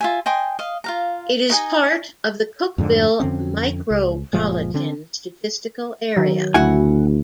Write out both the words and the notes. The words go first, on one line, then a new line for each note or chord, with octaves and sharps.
It is part of the Cookeville Micropolitan Statistical Area.
F4 E5 G#5
D#5 G5 G#5 C6
D#5 F5
F4 F5 A#5
D#4 D#5 G5 G#5
F2 G#2 D3
F2 D3 C4 C#4
C#2
F#1 A#2 F3 G#3
D3 C4 D4
D#3 F#3
D2 E4 F#4 F#5 G#5